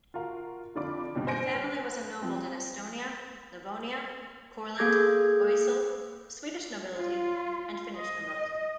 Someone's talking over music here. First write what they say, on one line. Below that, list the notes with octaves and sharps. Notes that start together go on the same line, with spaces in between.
The family was ennobled in Estonia, Livonia, Courland, Oesel, Swedish Nobility and Finnish Nobility.
F4 F#4 A#4 F5
F2 D3 F4 D5 B5 D6
G2 B2 G3 C#4
C5 G#5 A#6 D7
B4
F3 C4
A#3 G#4 A4 D6 G6 G#6
F4
D#5